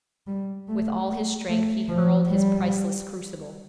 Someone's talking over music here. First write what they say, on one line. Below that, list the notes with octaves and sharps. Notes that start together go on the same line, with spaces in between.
With all his strength he hurled his priceless crucible.
G3
A3
A3
A3
F3
G3